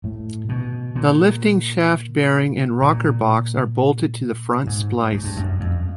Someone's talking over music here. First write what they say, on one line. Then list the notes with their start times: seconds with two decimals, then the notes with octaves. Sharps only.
The lifting-shaft bearing and rocker-box are bolted to the front splice.
0.04 A2
0.49 B2
0.95 A#2
2.82 A#2
4.67 G#2
5.12 G#2
5.24 G2
5.37 F#2
5.60 F2